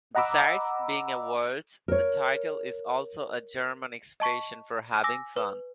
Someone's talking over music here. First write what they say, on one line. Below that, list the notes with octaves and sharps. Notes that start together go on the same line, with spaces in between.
Besides being a waltz, the title is also a German expression for having fun.
D#5 F#5 A#5 B5 D6 E6
A#4 C#5
D#5 A5 C#6 B6
G#5 D6 E6 A#6
B4